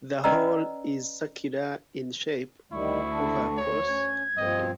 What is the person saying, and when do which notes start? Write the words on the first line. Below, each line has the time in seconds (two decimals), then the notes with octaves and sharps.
The hole is circular in shape, over across and deep.
0.24 C#4 B4 D5 D#5 A#5 E6
2.72 D2 D#3 G3 E4 C#6
3.10 D3 D4
3.58 C#5
3.87 C#4 G#6
4.37 G2 F3 C4 D#5